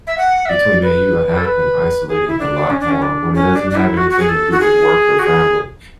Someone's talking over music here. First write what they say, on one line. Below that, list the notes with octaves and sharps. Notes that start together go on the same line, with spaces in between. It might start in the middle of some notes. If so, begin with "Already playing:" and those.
between me and you, I have been isolating a lot more when it doesn't have anything to do with work or family.
E5
F#5
E5
D5
B4
A4
B4
G#4
E4
D4
C#4
D4
C#4
D4
C#4
D4
D4
E4
F#4
F#4
G#4
A4
F#4
G#4
F#4
G#4